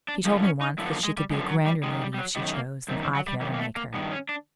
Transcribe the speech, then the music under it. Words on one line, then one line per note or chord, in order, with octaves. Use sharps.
She told me once that she could be a grander lady, if she chose, than I could ever make her.
D4
F#2 D3 F3 D#4
C#4
D#4
F#2 D3 F3 E4
B3
A#3
G#3
G3
F#2 D3 F3 G#3
F#3
G3
F#2 D#3 G#3
G3
G3
F#3
F#2 D#3 G3
A#3
F#2 D#3 C4
C4
F#3
G3
F#2 D#3 G3
A#3
A3
A#3
G2 D#3 B3
C#4
D4